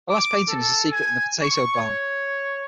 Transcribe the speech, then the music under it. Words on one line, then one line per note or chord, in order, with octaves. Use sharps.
The last painting is the secret in the potato barn.
D6
A4
G#5
C#6
C#5